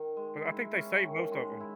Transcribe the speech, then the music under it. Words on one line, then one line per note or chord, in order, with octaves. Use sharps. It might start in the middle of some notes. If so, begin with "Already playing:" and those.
But I think they saved most of 'em.
Already playing: D#3
G#3
E4
C#4
D#3
G#3
E4